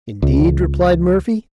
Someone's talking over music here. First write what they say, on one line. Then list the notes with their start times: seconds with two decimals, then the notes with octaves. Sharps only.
"Indeed!" replied Murphy.
0.22 C#2